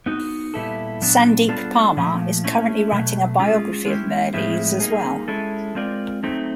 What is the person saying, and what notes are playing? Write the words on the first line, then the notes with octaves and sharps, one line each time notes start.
Sandeep Parmar is currently writing a biography of Mirrlees as well.
B3 D#4 F#4
A#2 G3 B3 E4 A4
A#2 F#3 B3 D4
G3 B3 D4 F4 A4
A#2 F3 A3
A3 C#4 E4
B2 F#3 A3
G#3 C#4 F4 G#4
G#3 C#4 E4 G4
A2 F3 G#3 C4 E4
G3 A#3 D#4 G#4
G#3 C#4 E4 A4
G#3 C4 F4 A#4 D5
F#3 A3 C4 D#4